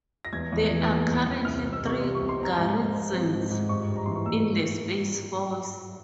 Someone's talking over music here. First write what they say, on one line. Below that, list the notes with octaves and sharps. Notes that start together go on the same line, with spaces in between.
There are currently three garrisons in the Space Force.
A#6
E2 G#6
E2
E3
A#3
E2
E2
C2 F6
F6
C4
E6
C3 C#6
G3 C6
C#6
C2
C6
C4 A#5
G#2 A#5
G#2
F3
C4
G#2
G#2
G2 C#6
G2
A#5
E3 C6
C#6
A#3 E6